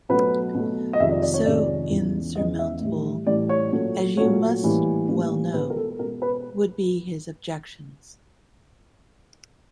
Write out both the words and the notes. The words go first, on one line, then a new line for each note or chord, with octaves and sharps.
So insurmountable, as you must well know, would be his objections.
B2 F#3 A3 B4
B2 F#3 A3
D#5
F2 C3 D#3 G#3 E5
D5
D5
C#5
F2 C3 D#3 G#3 D5
E2 C#3 E3 G#3
E2 C#3 E3 G#3 D#5
E5
A2 E3 G3
A2 E3 G3 D5
C#5
A#2 F#3 A3
A#2 F#3 A3 C#5
A2 E3 G3 A#3
A2 E3 G3 A#3
B2 G#3 B4
A#4
A4
B2 G#3 A#4
B4